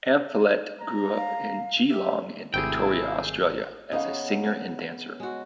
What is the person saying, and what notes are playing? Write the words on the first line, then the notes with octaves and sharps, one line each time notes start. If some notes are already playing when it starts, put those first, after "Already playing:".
Amphlett grew up in Geelong in Victoria, Australia, as a singer and dancer.
A#5
F5
G4 E5
G#1 C3 A3 E4 G#4 G5
C#3 B3 C#4 D#4 D#5 F5
G#3 F#4